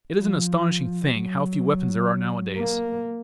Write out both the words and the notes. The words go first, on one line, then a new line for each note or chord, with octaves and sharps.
It is an astonishing thing how few weapons there are nowadays.
F3
F#3
A#3